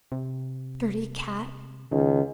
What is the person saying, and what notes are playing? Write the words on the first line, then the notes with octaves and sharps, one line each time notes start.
'Dirty cat!
C3
C#2 D#3